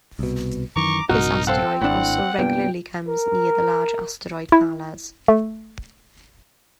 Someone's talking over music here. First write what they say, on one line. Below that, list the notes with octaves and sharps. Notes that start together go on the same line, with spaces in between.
This asteroid also regularly comes near the large asteroid Pallas.
C2 B2
F#2 D#3 E3 A#5 C#6 D6
A#1 G2 C3 D#4 F#4 A#4 A#5
C4 A4 C5 F5 F#5
G#1 A2 D4 F#5
C2 G2 A#2 B3 G5
A#4
E4
A3